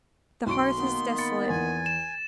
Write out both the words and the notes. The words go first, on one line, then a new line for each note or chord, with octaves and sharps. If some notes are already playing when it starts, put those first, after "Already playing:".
The hearth is desolate.
B1 C6 C#6 D7
D#3 A#3 B3
B5 A6 C#7
E2 G#5 C6
E7